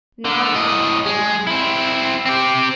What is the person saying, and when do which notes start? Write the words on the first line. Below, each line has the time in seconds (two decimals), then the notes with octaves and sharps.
Not I, for one....
0.25 D3
0.55 A2 D#5
1.07 G#3
1.47 C4 E4
2.26 C4 G4